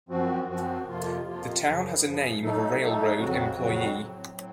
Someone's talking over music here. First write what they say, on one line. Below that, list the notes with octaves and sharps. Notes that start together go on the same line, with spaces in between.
The town has the name of a railroad employee.
F#2 F3 C4 F#4
F#2 F3 C4 F#4
F2 C3 F3 A#3 F4
F2 C3 F3 A#3 F4
F#2 C#3 F3
F#2 C#3 F3
F#3 A3 D#4 A4
F#3 A3 D#4 A4
F2 C#3 F#3 C4 F#4
F2 C#3 F#3 C4 F#4
A2 F#3 C4
A2 F#3 C4